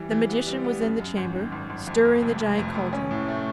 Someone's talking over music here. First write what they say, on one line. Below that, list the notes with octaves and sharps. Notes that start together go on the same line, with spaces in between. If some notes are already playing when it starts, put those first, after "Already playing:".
The magician was in the chamber, stirring the giant cauldron.
Already playing: E3 G3
E3
B3
G3
B3
F#2
F#2
G#1
D#3
G#1
G#1
F2
F2
F1
F1
F2
F1
C#4
A2
A3